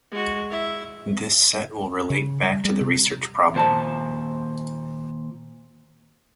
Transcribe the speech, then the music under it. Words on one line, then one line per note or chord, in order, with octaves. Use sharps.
This set will relate back to the research problem.
G#3 F#4
E4 E5
C#3
G3
G3
C3
D#2 A#2 C5 A5